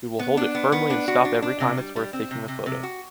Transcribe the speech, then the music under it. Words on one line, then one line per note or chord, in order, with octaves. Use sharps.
We will hold it firmly and stop every time it’s worth taking the photo.
B3
D4
B3
B3
D4
F#4
D4
D4
C3
G3
G3
C4
C3
C3
C3
F#4